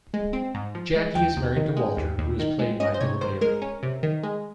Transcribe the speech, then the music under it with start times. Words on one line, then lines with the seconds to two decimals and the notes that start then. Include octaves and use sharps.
Jackie is married to Walter who is played by Bill Bailey.
0.14 G#3
0.33 C4
0.54 G#2
0.75 F3
0.95 G#3
1.15 D#2 G5
1.37 D#2
1.56 D#3
1.77 G#3
1.97 D#2
2.18 D#2
2.39 D#3
2.59 G#3
2.80 C#4 D#5
2.94 C5
3.00 C3 C#5
3.21 D#3 C5
3.41 G#3 A#4
3.62 C#4
3.83 C3
4.03 D#3
4.23 G#3